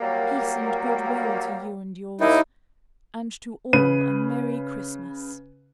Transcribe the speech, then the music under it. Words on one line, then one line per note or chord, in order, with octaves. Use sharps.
"Peace and good will to you and yours; And to all a Merry Christmas."
F#3 G3 A#3
D#2 D#4 E4
C#3 B4 D#7